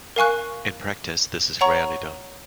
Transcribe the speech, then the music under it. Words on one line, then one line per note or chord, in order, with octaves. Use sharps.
In practice, this is rarely done.
A#4 F5 G#5 C#6 F#6
C#5 F#5 A#5 C#6